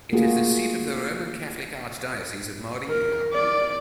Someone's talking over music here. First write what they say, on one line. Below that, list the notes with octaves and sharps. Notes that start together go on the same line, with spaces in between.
It is the seat of the Roman Catholic Archdiocese of Morelia.
A3 A#3 F4 F#4 G#4
A#4
D5